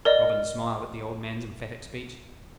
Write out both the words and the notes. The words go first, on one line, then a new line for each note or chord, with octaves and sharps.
Robin smiled at the old man's emphatic speech.
A#4 D5 D#5